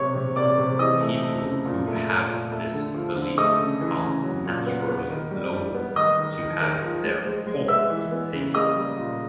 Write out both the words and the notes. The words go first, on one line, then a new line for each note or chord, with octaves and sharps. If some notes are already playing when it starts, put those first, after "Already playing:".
People who have this belief are naturally loath to have their portraits taken.
Already playing: C3 C#5 C#6
C3
C3 D5 D6
C3
E3 D#5 D#6
A3
A3
C#3
A#2
A3
A#2
A#2
A3
D3
F3
D3
A3 D#5 D#6
C#3
E3
C#3
F#3
A#2
B3
B3
D#3
G3
G3
B3
D#3 D#5 D#6
D#3
D#3
D#3
F3
G#3
G#3
G#3
B3 E5 E6
E3
B3
C#3
A#3 D#5 D#6
G3
A#2